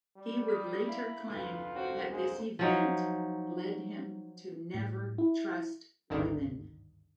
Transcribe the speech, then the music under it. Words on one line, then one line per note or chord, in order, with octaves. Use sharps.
He would later claim that this event led him to never trust women.
G3
D#6 F6 B6
A#3 E4 F5 B5
F1 D2 F4 B4
C4 F#4
G#3 A#3 C5
F3 F#3 D#4
A2
E4
G#1 D2 G2 A#2 D3 D#3